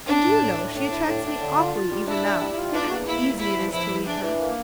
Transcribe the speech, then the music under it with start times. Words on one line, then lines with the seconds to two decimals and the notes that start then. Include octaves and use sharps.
And do you know she attracts me awfully even now, yet how easy it is to leave her.
0.08 A2 D4
0.25 A2
0.41 A2
0.57 A2
0.74 A2 D4
0.90 A2
1.07 A2
1.25 A2
1.41 D3
1.58 F4
1.74 F4
1.90 G3
2.06 D4 E4
2.24 G3
2.40 G3
2.56 F4
2.74 E2 D4
2.89 A#3
3.07 A#3 E4
3.23 E2
3.40 E2 E4
3.56 F3
3.72 F3 E4
3.90 E2
4.06 E3 D4
4.23 E3
4.40 A#3